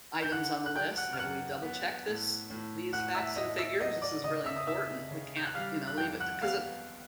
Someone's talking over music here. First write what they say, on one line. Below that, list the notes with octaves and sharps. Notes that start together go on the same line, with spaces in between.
items on the list. "Have we double checked this these facts and figures? This is really important. We can't, you know, leave it t" 'Cause it
G6
D3 F#5 F#6
F#6
F#3 G5 G6
F#5 F#6
F6
F#2 F#5 F#6
B3
A2
A2
A2 F#5 F#6
E5 E6
A2 D#5 D#6
E5 E6
F#3 D#5 D#6
D5 D6
C#3 D#5 D#6
E5 E6
D#6
C#3 E5 E6
C#3
G6
F#6
G3 F5 F6
F#6
F2 G5 G6
F#5 F#6
B3 F5 F6